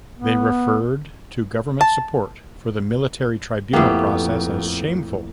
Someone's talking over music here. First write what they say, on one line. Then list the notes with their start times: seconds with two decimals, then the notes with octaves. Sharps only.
They referred to government support for the military tribunal process as shameful.
0.19 B3
1.81 A5
3.73 F2 A2 A#3 B3 G4